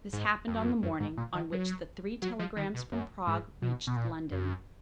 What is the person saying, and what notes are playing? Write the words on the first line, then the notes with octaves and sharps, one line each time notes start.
This happened on the morning on which the three telegrams from Prague reached London.
G#2
F2
F#2
F2
F#2
G#2
A#2
D#3
F#3
F#3
F3
D#3
B2
F#2
G#2
B2
B2
A#2
F#2